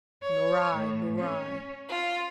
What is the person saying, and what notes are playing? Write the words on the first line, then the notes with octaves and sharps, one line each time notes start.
"Nor I,--nor I."
C#5
A2
C#4
F4